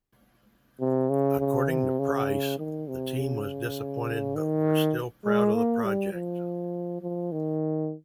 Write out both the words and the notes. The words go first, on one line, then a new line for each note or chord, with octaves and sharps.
According to Price, the team was disappointed but were still proud of the project.
C3
C#3
C#3
C3
C#3
D#3
C3
C#3
D#3
G#3
A#3
G3
F3
F3
D#3